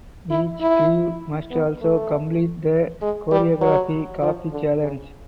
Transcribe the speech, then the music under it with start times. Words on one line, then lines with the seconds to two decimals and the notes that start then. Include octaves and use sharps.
Each crew must also complete the Choreography Copy Challenge.
0.30 E4
0.60 E4
1.51 B3
1.81 A3
3.01 G#3
3.31 G3
3.61 F#3
4.22 F3
4.51 D3
4.81 C#3